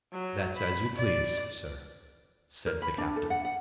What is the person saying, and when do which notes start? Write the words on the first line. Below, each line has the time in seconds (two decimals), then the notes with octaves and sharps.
"That's as you please, sir," said the captain.
0.12 F#3
0.56 B5
0.96 D5
2.66 A#4
2.82 B5
2.98 D4
3.16 A4
3.30 F#5
3.45 F#5